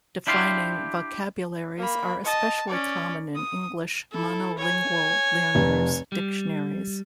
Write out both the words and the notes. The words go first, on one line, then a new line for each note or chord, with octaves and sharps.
Defining vocabularies are especially common in English monolingual learner's dictionaries.
D4 E4 G4 F5 B5 C6
A#3 B5
D#5 A5
C#4 D5
D#6
E4 A4
C#5 G#5
F1
G3